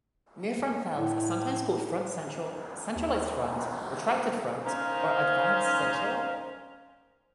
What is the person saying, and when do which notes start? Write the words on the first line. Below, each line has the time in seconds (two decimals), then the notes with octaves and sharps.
Near-front vowels are sometimes called front-central, centralized front, retracted front or advanced central.
0.95 A2
2.96 D#2
4.65 C#4 D#4 A#4 C5 F5